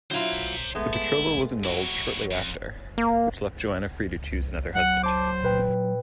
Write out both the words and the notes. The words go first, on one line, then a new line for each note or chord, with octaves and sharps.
The betrothal was annulled shortly after, which left Joanna free to choose another husband.
F#3 E4 F4 C5 A#5
G#3 A3 B3
E4
F#3 E4 F#4
F2
A#3
C2
F#3 F#5
C5 A5 D6
A#2 B4 G5